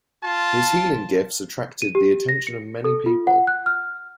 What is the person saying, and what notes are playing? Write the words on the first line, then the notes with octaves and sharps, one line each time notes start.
His healing gifts attracted the attention of many people.
F4 A5
D#7
G4
A#6
C#7
A4
F4
F#5
F#6
F6